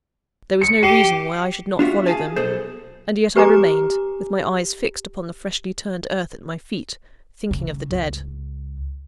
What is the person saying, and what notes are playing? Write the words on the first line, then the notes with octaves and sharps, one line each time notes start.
There was no reason why I should not follow them; and yet I remained, with my eyes fixed upon the freshly-turned earth at my feet, thinking of the dead.
C#7
G4 C7 D#7
D4 F4 F#4 E5
G#4 F5 G#5 A5
B1 B2 G#4 A4 C5
G4 B4 G#5 A#5 D6
C#3
C#2